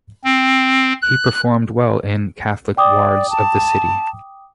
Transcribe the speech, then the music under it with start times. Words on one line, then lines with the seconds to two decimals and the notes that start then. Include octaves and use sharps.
He performed well in Catholic wards of the city.
0.24 C4
1.02 F#6
2.77 D5 G5 D6 D#6
3.30 A5